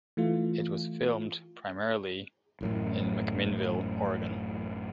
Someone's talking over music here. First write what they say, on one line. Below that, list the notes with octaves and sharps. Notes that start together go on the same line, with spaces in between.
It was filmed primarily in McMinnville, Oregon.
E3 A3 F4
A1 F#2 A2